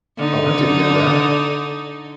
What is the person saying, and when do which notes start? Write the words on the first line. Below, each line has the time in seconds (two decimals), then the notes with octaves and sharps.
Oh, I didn't know that.
0.17 D3 D#4